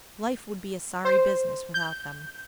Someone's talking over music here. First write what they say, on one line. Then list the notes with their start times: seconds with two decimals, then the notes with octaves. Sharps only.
Life would be a sorry business without them.
1.05 C5
1.74 G6